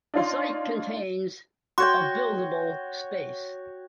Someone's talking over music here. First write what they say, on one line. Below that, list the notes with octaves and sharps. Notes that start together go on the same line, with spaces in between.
The site contains of buildable space.
D4 D#4 F4 C#5 F5 C6
F#4 C#5 G5 C6